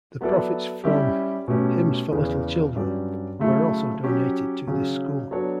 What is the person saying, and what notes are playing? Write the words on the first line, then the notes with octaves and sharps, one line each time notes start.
The profits from "Hymns for Little Children" were also donated to this school.
F#3 B3 E4 A4 D5
G3 C#4 E4 G4
B2 A3 C#4 G4
E2 C#3 E3
G2 F#3 C#4 G4 D5
C#3 F#3 A3 E4
F#3 C#4 G4
C#3 F#3 C#4
F#3 B3 D4 A4 C#5